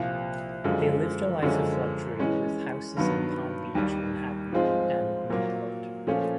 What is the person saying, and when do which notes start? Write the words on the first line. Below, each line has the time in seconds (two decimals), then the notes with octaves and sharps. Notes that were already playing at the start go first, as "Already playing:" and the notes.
They lived a life of luxury, with houses in Palm Beach, Manhattan, and Newport.
Already playing: C2 A#2 F3
0.64 F#2 D3 F3 G#3
1.42 F#2 D3 F3 G#3 C#4
2.19 E3 G#3 C#4
2.97 G2 D#3 F#3 B3
3.75 D#2 D#3 G3
4.52 G#2 F3 G#3 C4 F4
5.30 A#2 F#3 A#3
6.07 A#2 F3 A3 C#4